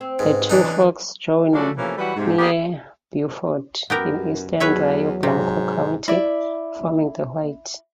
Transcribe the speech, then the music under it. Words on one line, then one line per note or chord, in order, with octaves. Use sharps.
The two forks join near Buford in eastern Rio Blanco County, forming the White.
C4
G#2 B4
E3 D4 D#4
C#3 F3 F#3 A3 D4 F#4
C3 E3 F3 A3 A#3 C#4
E3 F#3 G3 F#4 B4
G#2 C3
A#3 B3 G4 G#4 D5 D#5
F#2 B3 G4 A#4
E2 F#3 B4 C#5 E5
G#2 C3
E4 D5